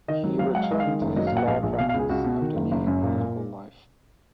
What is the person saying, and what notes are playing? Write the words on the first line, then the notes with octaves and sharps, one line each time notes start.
He returned to his law practice after leaving political life.
D#3 D#5
F#3
F#3 F5
G#3 F#5
F5
G#3 D#5
F5
D#3
F#1
F#3 D#5
F5
A#2 F#5
A#1 F5
A#1
B2 F5
F5
C#2
G#4
C#2 F#4
B2
D#3
F#1
F#1
F#2
A#2
A#2